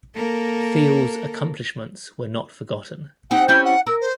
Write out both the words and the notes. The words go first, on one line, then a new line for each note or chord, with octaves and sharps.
Thiel's accomplishments were not forgotten.
A#3 A4 A#4
C4 D#4 G4 F#5
G3 C#4 E4 G6
F#5
A#4 E6
C5